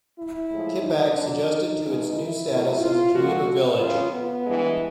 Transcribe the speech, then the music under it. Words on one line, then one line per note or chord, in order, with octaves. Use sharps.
Kippax adjusted to its new status as a commuter village.
E4
A2 F3 G#3
D#4
F2 D3 F#3 D4
D#4
E2 B2 G#3
E4
A2 F#3
F4
A#2 F3 G#3 F#4
F2 C#3 F3 F4
B3
G2 E3 G#3